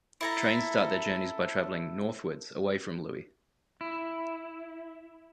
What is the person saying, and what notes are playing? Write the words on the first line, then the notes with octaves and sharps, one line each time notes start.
Trains start their journey by travelling "northwards", away from Looe.
E4 A4 A#5
E4